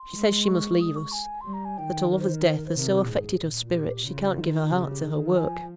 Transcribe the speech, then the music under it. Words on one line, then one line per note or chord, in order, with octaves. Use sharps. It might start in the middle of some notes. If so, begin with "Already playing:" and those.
She says she must leave us; that her lover's death has so affected her spirits she can't give her heart to her work.'
Already playing: C6
G#3
C6
C#6
D#6
C#6
G#5
G3 C6
A#5
G#5
D#3 G5
A#4
C5
A#4
C5
A#4
C5
C3 A#4
G4
G#2 G#4
A#2
F4
G4
C#3 F4
D#3
F4
C#3 G4
G4
D#3 G#4
G#4
A#4
F3 G#5